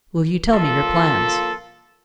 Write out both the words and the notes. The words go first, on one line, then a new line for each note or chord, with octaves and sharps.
"Will you tell me your plans?"
F3 A#3 F4 A4